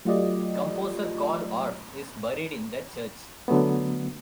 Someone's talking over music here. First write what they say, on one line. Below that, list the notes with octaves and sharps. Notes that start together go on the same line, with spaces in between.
Composer Carl Orff is buried in the church.
F#3 A3 F4 G4 D5 D#5
D3 F#3 A3 B3